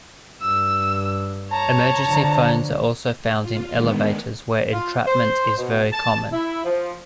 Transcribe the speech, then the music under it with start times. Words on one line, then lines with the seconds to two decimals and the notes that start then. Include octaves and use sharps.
Emergency phones are also found in elevators where entrapment is very common.
0.41 G2 E6
1.51 C#5 A5 A#5
2.05 D3 F3
3.41 F4
3.75 D3 D#3 G#3 B3
4.73 F4
5.07 C5
5.57 B2
5.93 A5
6.33 E4
6.65 F3